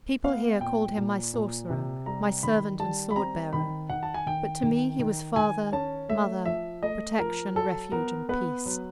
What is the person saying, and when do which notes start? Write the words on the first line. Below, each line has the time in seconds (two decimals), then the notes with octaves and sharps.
People here called him my sorcerer, my servant and sword-bearer; but to me he was father, mother, protection, refuge and peace.
0.24 B3 F5
0.60 A#2 G5
0.97 A#2
1.34 A#2
1.70 C3
2.06 G3 A#5
2.43 D#3 B5
2.79 G3 A5
3.11 B5
3.16 C4 A#5
3.53 D#3 B5
3.90 D#3 F#5
4.03 A5
4.14 G#5
4.27 D#3 G5
4.63 D#3
4.99 D#3
5.36 D#3 G#5
5.72 C#4 A5
6.09 A3 E5
6.45 F3 E5
6.83 A3 D#5
7.19 F3 A#4
7.55 F#3 A4
7.92 B3 A#4
8.29 B3 B4
8.66 F#3